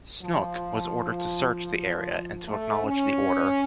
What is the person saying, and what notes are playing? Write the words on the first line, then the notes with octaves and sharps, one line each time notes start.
"Snook" was ordered to search the area and to acknowledge the order.
F3
A3
C#4